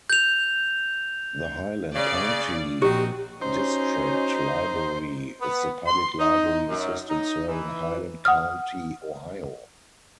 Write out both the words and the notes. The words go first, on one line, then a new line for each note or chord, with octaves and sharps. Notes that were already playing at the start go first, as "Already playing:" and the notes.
The Highland County District Library is the public library system serving Highland County, Ohio.
G6 F7
C#3 D5
A#1 C4 D#4 F#4 G4
C#4 D#4 F#4 C5
B3
C6
D#4
F#2
D#4
E3
F#5 D#6 F6